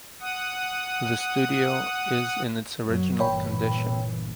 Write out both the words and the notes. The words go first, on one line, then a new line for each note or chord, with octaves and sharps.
The studio is in its original condition.
F#5 D#6
F#2 F#3
G1 A#2 E3 C#5 G5 B5